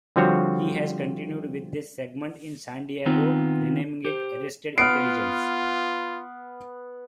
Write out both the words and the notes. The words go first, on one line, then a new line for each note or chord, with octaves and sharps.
He has continued with this segment in San Diego, renaming it "Arrested Intelligence".
D3 F3 G3 C4 F#4 C#5
D#3 B3 C4 D#4 F4
G4 C5
B3 F4 F6 C7 D7